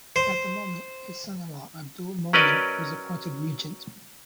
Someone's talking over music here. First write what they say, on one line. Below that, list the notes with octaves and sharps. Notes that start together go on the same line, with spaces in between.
At the moment, his son-in-law Abdul Momin was appointed regent.
C5
F#3 C#4 A#4 B4 D5 D#5